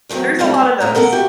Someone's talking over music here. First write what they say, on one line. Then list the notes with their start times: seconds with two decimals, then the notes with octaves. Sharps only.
There's a lot of those.
0.09 E2 A2 F3 F#3 C4
0.39 G3 A3 C4 D4 E4
0.54 D4
0.80 D2 A2 A#5
0.95 B3 A4 A#4 F5 F#5
1.12 F#4 G4 E5 F#5